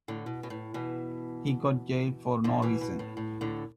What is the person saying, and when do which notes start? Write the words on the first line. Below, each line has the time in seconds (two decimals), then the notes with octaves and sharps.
He got jailed for no reason.
0.08 A2 D3
0.26 B2
0.43 B2
0.50 A2
0.74 B2 E3
2.44 A2 D3
2.62 B2 E3
2.81 B2
2.99 A2
3.17 A2
3.41 A2 D3